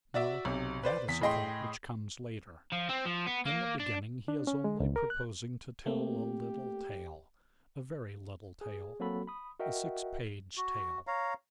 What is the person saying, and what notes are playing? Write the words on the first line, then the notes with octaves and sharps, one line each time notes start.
No--that is a thought which comes later; in the beginning he is only proposing to tell a little tale, a very little tale, a six-page tale.
F#4 D5 E5
B1 C3
B4 C5 D5
E2 B6
A2 G#4 D#5 G5 C6
F3
C4
F3
B3
A#3
D4
D4
C#4
G#3
C#2
A#4
F#6
A3 A#3 C4 G4
G#4
F#3 A#3 C4 F#4 A4 B5
B5 D#6
F#4 A#4 D#5 E5 F#5 G5
F#4
C#5 F5 A#5